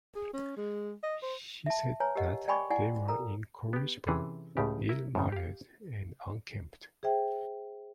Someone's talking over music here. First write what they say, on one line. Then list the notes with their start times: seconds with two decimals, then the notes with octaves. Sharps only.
He said that they were "incorrigible, ill mannered, and unkempt".
0.15 G#4
0.33 C#4
0.57 G#3
1.03 D#5
1.22 C5
1.66 E5 A5
2.00 B4 C#5 G#5 A#5
2.15 G4 A#4 D#5 F#5
2.48 D5 G5 G#5 B5 C#6 D6
2.70 E4 D5 F#5 G#5
3.08 A4 A#4 A#5
3.73 B3 G4
4.07 C3 E3 C#4 G#4 A4
4.57 C#2 A2 C#3 G4
4.89 E4 A#4
5.15 F#2 A2 C#3
5.32 G4 F5
7.03 G#4 C5 E5 G5